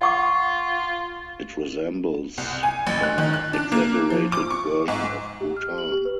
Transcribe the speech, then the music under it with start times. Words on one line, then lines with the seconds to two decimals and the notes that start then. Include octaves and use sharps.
It resembles an exaggerated version of Bhutan.
0.02 F4 F#5 C#6 D6
2.38 C2
2.63 G#5
2.87 A1
3.03 F#6
3.18 D#3
3.34 F#6
3.53 D4
3.72 A#3
4.10 F3
4.32 D6
4.51 C#6
4.88 G#2
5.41 G4
5.57 F6
5.78 F#7
5.92 G4
6.05 B4